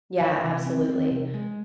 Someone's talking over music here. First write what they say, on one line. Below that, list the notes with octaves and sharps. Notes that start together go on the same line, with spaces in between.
Yeah, absolutely.
E3
C3
C4
C4
C3
G#3